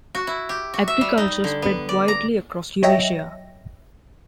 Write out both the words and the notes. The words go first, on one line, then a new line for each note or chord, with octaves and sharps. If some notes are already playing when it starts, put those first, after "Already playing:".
Agriculture spread widely across Eurasia.
F#4
E4
G4
F#4
E5
G3
D#4
D3
B3
D5
A#5
F#3 C#5 D#5 E5 G5 A#6